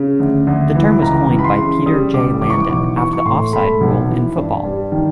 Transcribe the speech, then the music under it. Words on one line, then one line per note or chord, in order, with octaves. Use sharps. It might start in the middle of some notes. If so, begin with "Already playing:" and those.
The term was coined by Peter J. Landin, after the offside rule in football.
Already playing: C#3
D2
D2
E3
C#2 A#5
E3
B5
C6
C#3
G3 D#6
C#2 D6
E3 D6
C#6
D6
B1 D6
E3 C#6
C#6
A2 C6
A3 B5
B1
E3
G2
G3
D#3